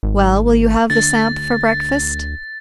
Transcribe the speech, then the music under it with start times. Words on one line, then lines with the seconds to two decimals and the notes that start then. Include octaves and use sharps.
"Well, will you have the samp for breakfast?"
0.03 G#1
0.90 D2 A6